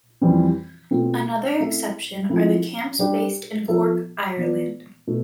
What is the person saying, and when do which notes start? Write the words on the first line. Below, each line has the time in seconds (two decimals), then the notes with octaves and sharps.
Another exception are the camps based in Cork, Ireland.
0.21 F2 E3 G3 C4
0.91 B2 A3 C4 F4
1.60 A3 C4 E4 A4 E5
2.29 F3 A3 C4 E4
2.99 G3 D4 G4
3.68 F3 B3 F4 A4 E5
4.37 E3 B3 F4 B4 D5
5.07 B2 A3